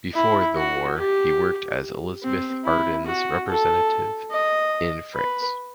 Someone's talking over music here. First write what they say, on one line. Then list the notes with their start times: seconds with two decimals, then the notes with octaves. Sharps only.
Before the war he worked as Elizabeth Arden’s representative in France.
0.14 E4
0.56 F#4
0.97 G4
2.23 C4
2.65 E4
3.06 F#4
3.48 A4
4.31 D#5
5.15 B4